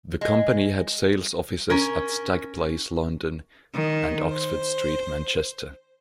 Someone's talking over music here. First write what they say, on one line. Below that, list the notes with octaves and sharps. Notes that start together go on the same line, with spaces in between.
The company had sales offices at Stag Place, London and Oxford Street, Manchester.
G#3
C#4 A#4
D#3
C5